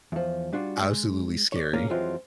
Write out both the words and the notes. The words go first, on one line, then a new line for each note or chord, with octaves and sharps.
absolutely scary.
E2 F3
G3 D4 F4 F#4
G#3
C#5 D5
A#2 A#3 C#4 G#4 A#4
F2 E3 F#3 G#3 C4 F4